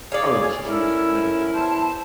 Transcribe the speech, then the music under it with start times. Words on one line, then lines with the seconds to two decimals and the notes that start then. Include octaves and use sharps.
Orange juice, then.
0.12 G#4 C#5 D5 F5 G#5
0.68 C#4 E4 A4 A#4
1.53 E2 C5 A5